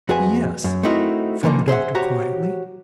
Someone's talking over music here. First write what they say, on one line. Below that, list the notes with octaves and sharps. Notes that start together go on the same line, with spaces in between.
"Yes," from the doctor, quietly.
F2 F#4 G#4 B4 G#5
F#2
A3 C4 D#4 E4 F#4 A#4
D3 E3 F3 A3 A#3
G#4 C5 E5 F#5
F#4 G4 C5 C#5 A#5